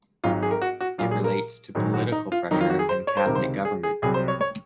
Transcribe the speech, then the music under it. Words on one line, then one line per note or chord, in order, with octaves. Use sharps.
It relates to political pressure and cabinet government.
G#1 G#2 F#3 F4
G#4
A#4
F#4
F#4
A#1 A#2 F#3 F4
G#4
A#4
A#1 G#2 D#3 F#3
F#4
D#4
F4
F2 D#3 F#3 D#4
F4
F#4
G#4
C5
C#5
C5
C#2 C3 D#3 A#4
C5
G#4
G#4
C2 C3 F#3 G#4
C5
C#5
C#5